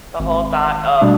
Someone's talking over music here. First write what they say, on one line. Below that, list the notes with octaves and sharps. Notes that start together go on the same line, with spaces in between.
the whole thought of,
G#1
B2 G3 A3 D4